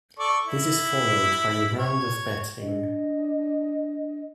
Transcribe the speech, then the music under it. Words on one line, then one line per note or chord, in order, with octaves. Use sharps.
This is followed by a round of betting.
A4 D5 C#6
E4
C#5
D4 D#5